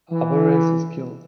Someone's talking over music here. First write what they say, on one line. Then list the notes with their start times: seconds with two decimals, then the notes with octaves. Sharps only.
Alvarez is killed.
0.11 E3